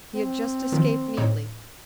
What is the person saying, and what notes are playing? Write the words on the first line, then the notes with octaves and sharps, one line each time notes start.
He had just escaped neatly.
C4
D#3 F3
A2 D#4 C#5